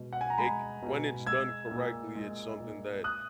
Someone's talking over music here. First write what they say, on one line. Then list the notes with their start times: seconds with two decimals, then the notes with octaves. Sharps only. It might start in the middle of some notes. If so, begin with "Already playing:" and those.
it c When it's done correctly, it's something that
Already playing: B2 G#3
0.13 F#5
0.21 G#5
0.30 A#5
0.38 G#3 G#5 B5
0.82 B2
1.26 G#3 E6 G#6
1.71 A#2
2.15 G#3
2.59 A#2
3.04 D#6 F#6